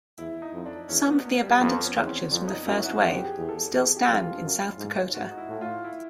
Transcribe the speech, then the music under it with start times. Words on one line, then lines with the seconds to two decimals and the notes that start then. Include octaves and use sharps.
Some of the abandoned structures from the first wave still stand in South Dakota.
0.18 E2 E4
0.42 D#4
0.53 F2
0.66 D4
0.89 E2 C#4
1.07 B3
1.25 A#3
1.42 G3
1.60 F2 B3
1.84 C#4
1.95 E2
2.00 C4
2.08 C#4
2.31 F2 D4
2.48 D#4
2.65 F#2 E4
2.83 F#4
3.01 F2 G4
3.13 G4
3.25 G#4
3.37 E2
3.49 A4
3.72 E2 G#4
3.96 G4
4.07 F2
4.20 F4
4.43 F#2
4.78 G#2
5.14 G#2 F#4
5.31 D#4
5.38 E4
5.49 A2
5.61 F4
5.84 E4